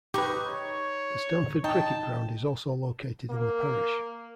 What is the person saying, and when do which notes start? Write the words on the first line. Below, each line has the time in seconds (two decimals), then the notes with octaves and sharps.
The Stanford Cricket Ground is also located in the parish.
0.14 D#4 G4 B4 C#6
0.45 C#5
1.64 D#4 G5 A5
3.30 A#3